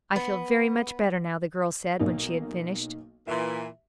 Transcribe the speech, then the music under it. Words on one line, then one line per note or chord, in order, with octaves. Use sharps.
"I feel very much better now," the girl said when she had finished.
B3
B1 A#3 D#4
A#2 E3 E5